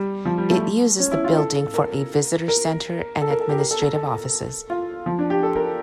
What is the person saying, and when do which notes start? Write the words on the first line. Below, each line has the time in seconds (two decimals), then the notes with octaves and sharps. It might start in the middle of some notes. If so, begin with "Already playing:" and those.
It uses the building for a visitor center and administrative offices.
Already playing: G3
0.25 F3
0.38 G3
0.50 A3
0.99 C#4
1.11 E4
1.24 F4
1.37 A4
1.74 A#4
2.48 A#4
3.21 A4
3.30 A#4
3.40 A4
3.49 G4
3.58 A#4
3.71 A4
3.83 A4
3.95 A4
4.70 F4
5.06 F3
5.19 D4
5.30 G4
5.43 A4
5.56 A#4